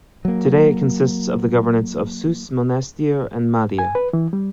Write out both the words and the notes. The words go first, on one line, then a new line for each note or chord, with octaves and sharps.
Today it consists of the governorates of Sousse, Monastir and Mahdia.
F#3 A#3
G#5
B4
E3
G3